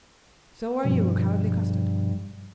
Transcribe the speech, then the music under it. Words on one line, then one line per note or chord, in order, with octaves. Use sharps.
"So are you a cowardly custard."
G2 B2 F3